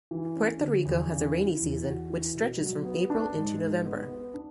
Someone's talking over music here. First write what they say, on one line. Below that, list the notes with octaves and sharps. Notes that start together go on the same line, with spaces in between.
Puerto Rico has a rainy season which stretches from April into November.
E3
C#4
D3
E2
C#3
E4
E2
F#4
E3
B2
F#3
B3
D4
G#2
G#3
B3
B3
D4